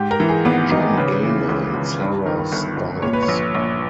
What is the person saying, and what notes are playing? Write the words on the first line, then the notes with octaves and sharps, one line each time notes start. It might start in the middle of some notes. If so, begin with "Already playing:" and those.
John Gano and Sarah Stites.
Already playing: G#2 G4
A#4
E3
G#4
G#1 B3
G#1 D#4
C#3 B4
E3
C#2
C#2
G2 B4
D#3 A#4
G1
G1
A#2 C#5
B4
C#5
A#1
A#1